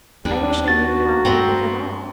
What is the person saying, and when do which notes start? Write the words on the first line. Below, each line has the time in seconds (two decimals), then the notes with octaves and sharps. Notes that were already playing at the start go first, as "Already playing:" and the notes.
I wish I knew how they live at all.
0.25 D#2 G3 D4
0.68 F#4 A6
1.25 G2 C4 A#5 B5